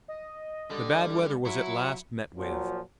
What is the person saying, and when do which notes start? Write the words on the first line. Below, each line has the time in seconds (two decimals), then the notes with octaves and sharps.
The bad weather was at last met with.
0.08 D#5
0.71 D3 G3
1.46 F#3 E4 C#7
2.36 A#2 F3 F#3